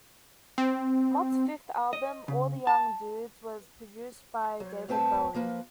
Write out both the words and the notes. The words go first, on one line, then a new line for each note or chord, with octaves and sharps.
Mott's fifth album, "All the Young Dudes", was produced by David Bowie.
C4
D#5
C#3
A5
F#3
A2 A3 C4 B4 G5 A5
F3 A#3 B4